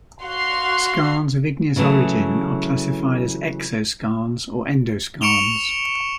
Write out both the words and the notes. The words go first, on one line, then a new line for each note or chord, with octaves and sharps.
Skarns of igneous origin are classified as "exoskarns" or "endoskarns".
F#4 F5 C6
C#3 E3 F#3 A3 G#4
C#6 C#7 D7 E7 F7 G7